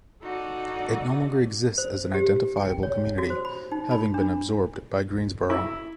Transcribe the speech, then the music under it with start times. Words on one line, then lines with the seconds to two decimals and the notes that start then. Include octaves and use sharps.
It no longer exists as an identifiable community, having been absorbed by Greensboro.
0.21 D#4 F#4 A4 D5 D#5
1.78 C5
2.14 G4
2.57 G5
2.83 C#5
3.18 F#4
3.30 C5
3.45 B5
3.72 D#4
3.91 B5
4.14 D4
5.50 E4